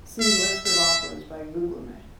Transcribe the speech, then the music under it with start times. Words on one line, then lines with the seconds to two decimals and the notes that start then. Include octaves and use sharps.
See List of operas by Guglielmi.
0.21 E5
0.66 E5